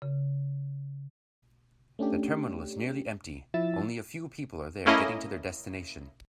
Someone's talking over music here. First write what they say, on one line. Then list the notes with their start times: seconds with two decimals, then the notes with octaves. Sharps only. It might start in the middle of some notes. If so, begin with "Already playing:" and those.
The terminal is nearly empty, only a few people are there getting to their destination.
0.02 C#3
1.99 A3 C#4 D4 G4
3.54 F3 E4 E5 E6 A6
4.86 A3 A#3 C#4 E4 D#5